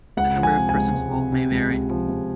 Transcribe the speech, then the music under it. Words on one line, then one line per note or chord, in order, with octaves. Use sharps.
The number of persons involved may vary.
C#2 F#5
F3
G#5
C3
G#5
C#2
C#2
C3
C3
C#2
C#2
F3
C#2